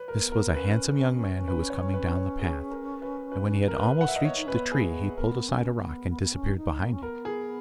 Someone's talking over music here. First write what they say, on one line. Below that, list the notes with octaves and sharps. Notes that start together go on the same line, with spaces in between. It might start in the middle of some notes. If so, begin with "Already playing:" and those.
This was a handsome young man who was coming down the path; and when he had almost reached the tree he pulled aside a rock and disappeared behind it.
Already playing: B4 C#5
A#4
A#3
B3
A#4
C#4 B4
B4
C#5
B4
C#5
G#4
A#4
B4
B4
A#4
B4
F#5
E5
D#5
B3 C#5
D#4
C#4 B4
B3
G#4
B3
B3 A#4
C#4
A#3
B3
B3
B3
C#4
D#4
A#3
C#4
B3 A#4
G#4